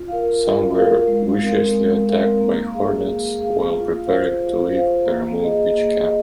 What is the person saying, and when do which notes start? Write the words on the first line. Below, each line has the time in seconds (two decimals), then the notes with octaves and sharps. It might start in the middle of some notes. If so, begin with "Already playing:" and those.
Some were viciously attacked by hornets while preparing to leave a remote beach camp.
Already playing: F4
0.08 A#4 F5
0.41 F4
0.75 A#4 F5
1.08 G#3
1.41 C4 D#4 A#4 F5
1.74 G#3
2.07 C4 D#4 A#4 F5
2.40 A#3
2.74 G#4 F5
3.07 A#3
3.41 G#4 F5
3.73 F4
4.06 C5 F5
4.40 F4
4.72 C5 F5
5.06 A#3
5.40 G#4 D#5
5.72 A#3
6.05 D#5